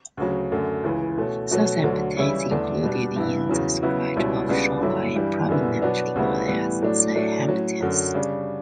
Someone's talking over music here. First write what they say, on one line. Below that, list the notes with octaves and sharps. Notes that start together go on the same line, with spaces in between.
Southampton is included in the stretch of shoreline prominently known as The Hamptons.
D2 C#3 F#3
F#2 D3 A3
C#2 C#3 E3
B2 A3 C#4
B2 F#3 A3 C#4
D2 D3 F#3
C#3 E3 G3 C#4 E4
E2 D3 A3 D4
B2 G3 D4
G2 E3 B3 E4
E2 C#3 F#3
C#3 F#3 B3 E4
C#2 B2 G3 C#4 E4
C#2 C#3 G3 B3 D4
G2 D3 F#3 C#4 E4
G2 E3 G3
F#2 D3 G3 B3 E4
B2 F#3 B3 D4
D2 C#3 G3 B3 E4
A2 E3 G3 B3
A2 F#3 A3 D4
A2 F#3 A3 D4
A2 F#3 C#4
F#2 D3 F#3
C#3 G3 D4